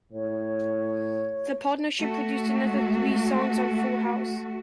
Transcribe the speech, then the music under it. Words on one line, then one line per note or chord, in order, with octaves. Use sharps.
The partnership produced another three songs on "Full House".
A2 C#5
A3 F#4